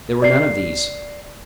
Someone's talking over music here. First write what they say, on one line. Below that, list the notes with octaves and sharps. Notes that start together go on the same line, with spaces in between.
There were none of these.
D5 C7